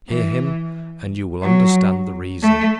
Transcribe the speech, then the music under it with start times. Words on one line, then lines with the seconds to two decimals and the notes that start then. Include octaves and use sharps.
Hear him and you will understand the reason.
0.09 E3
1.42 F#3
2.43 A3